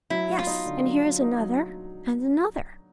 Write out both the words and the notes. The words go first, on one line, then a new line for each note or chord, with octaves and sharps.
Yes--and here is another, and another.
F#3 E4
F#3
F4
D#4
D3
F#3
F#3
D#4
F#3